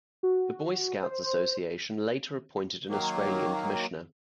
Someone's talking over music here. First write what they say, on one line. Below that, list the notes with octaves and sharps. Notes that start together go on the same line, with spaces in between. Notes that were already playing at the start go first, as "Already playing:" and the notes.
The Boy Scouts Association later appointed an Australian Commissioner.
F#4
C5
D#3 F#3 A#3